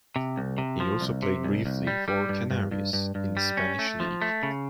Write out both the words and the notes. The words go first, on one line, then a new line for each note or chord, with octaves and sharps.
He also played briefly for Canarias in the Spanish league.
C3
C2
C3
F3
C2
C3
C2
C2
G3
G3
G2
G2
G2
G2
G2
G3
C#4
A3
F3
A3
C#3